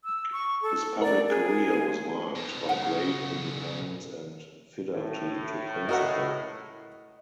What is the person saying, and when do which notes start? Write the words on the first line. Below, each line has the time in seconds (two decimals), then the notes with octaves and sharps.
His public career was marked by great independence and fidelity to principle.
0.04 E6
0.32 C#6
0.62 A4
1.02 A#4 D5
1.29 G#4
2.36 F2 B2
2.69 B1 C#3 F#5
4.93 A2
5.89 F#4 A#4 D#5 F#5